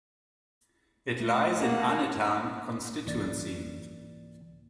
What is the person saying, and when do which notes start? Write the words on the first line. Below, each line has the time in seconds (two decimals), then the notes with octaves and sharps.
It lies in Anetan Constituency.
1.20 A3
1.58 A#3 F#5
3.06 C2 G#2 E3 A#3 D5 A6